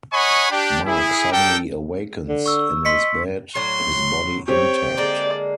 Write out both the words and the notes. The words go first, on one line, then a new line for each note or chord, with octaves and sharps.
Mark suddenly awakens in his bed, his body intact.
C#5 D#5 F#5 G#5 B5 C#6
D4 G4
E4 G#4
D4 G4 A4 A#4 G5
D3
C#6 E6
D#5 C6 B6 C#7
A2 F#3 C6
C4 G4 C#5 G5
D3 G#3 A#3 D5